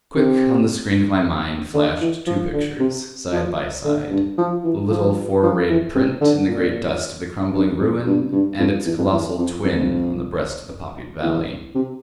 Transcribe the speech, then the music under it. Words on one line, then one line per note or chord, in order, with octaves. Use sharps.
Quick on the screen of my mind flashed two pictures, side by side--the little four-rayed print in the great dust of the crumbling ruin and its colossal twin on the breast of the poppied valley.
C3
D3
E3
F3
D3
C3
F3
D3
G2
F3
E3
F3
F3
E3
C3
D3
A#2
G2
F2
G2
G2
F2
E2
F2
E2
F2
F2
E2
C3